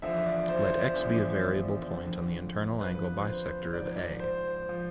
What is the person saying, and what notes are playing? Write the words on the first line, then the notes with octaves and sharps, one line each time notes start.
Let "X" be a variable point on the internal angle bisector of "A".
E2 D3 F3 E5
D5
C5
E2 D3 F3
F2 D3 F3
F2 D3 F3 B4
C5
G#2 F3 D5
C5
F3